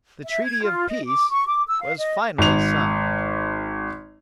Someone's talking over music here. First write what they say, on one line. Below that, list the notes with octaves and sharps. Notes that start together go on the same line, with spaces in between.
The treaty of peace was finally signed.
E5
G#6
F4
D#5
D6
C#6
D6
E6
F5
D#5
G#1 F7